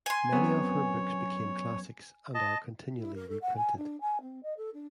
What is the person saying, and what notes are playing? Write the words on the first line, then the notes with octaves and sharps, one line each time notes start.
Many of her books became classics and are continually reprinted.
G#5 C6
F#2 B3 C4 C#5
D#5 A5
E4
A#4
A4
F#5
G#5
D4
G#5
C4
D#5
A4
D4